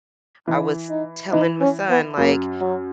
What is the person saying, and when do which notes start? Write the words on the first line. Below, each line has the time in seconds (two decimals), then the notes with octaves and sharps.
I was telling my son, like
0.47 E3 D#4
0.90 D#4
1.32 E3 D#4
1.61 C#4
1.89 B3
2.17 F#2 A#3
2.61 F#3